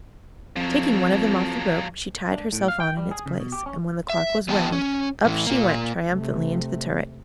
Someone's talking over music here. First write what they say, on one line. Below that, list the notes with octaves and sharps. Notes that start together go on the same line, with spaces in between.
Taking one of them off the rope, she tied herself on in its place, and when the clock was wound, up she went triumphantly into the turret.
F2 F3 F#3
D4
A2
F5
G5
G3
G#4
C#3
B2
G4
C#4
E5
E3 B3 G4 D#5 G5 A5
C#4
A2 E3
A#2 A#3
C3 A3